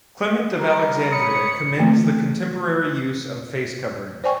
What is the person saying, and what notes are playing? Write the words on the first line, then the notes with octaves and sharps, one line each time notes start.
Clement of Alexandria commends the contemporary use of face coverings.
G3 A#4
C#5 B5 D#6 C#7
D3 E3 A3 A#3 C4
C5 D5 G5 G#5 C#6